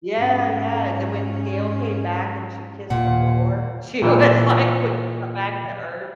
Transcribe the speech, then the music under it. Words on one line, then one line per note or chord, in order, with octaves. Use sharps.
Yeah, yeah, and then when Gayle came back and she kissed the floor, she was like w when got back to earth,
G#2 C#4
D#2 A#2 F#5
A#2 E3 G3